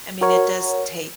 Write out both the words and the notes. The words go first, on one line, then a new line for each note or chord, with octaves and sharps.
I mean, it does take
F#4 A#4 C#5